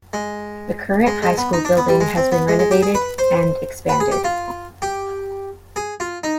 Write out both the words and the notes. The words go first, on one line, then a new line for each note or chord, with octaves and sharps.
The current high school building has been renovated and expanded.
G#3
G#3
G#3
B3
D#4
D4
B3
G3
G#3
C4
B3
G#3
G#3
G4
G#4
B4
C5
B4
G#4
G4
F4
G4
G#4
F4
D#4